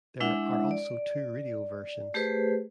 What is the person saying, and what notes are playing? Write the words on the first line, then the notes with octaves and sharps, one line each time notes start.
There are also two radio versions.
G#3 D4 E4 E5 F#5
D5
A3 G4 G#4 B4 C5